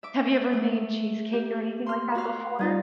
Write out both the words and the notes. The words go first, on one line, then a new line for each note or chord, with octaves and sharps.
Have you ever made cheesecake or anything like that before?
E5 D6
A3
G4
C6 F6
F#4 F5
G3 D#4 F4